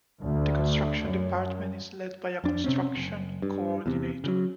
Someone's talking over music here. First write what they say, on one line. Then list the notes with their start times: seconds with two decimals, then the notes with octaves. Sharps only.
The construction department is led by a construction coordinator.
0.21 D2
1.03 F#2
2.44 F2 D4
2.64 C3 C4 C#4
2.95 F#1
3.42 G2
3.86 E2 C3
4.24 C#3 F3 F#3